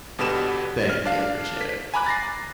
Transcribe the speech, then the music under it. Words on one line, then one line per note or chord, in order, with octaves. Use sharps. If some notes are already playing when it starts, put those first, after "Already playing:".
Thank you. I appreciate it.
G1 B2 D3 G4 B4 E7
F6
D4 F5
B6
G#5 A#5 B5 D6 F#6
A6 A#6 C7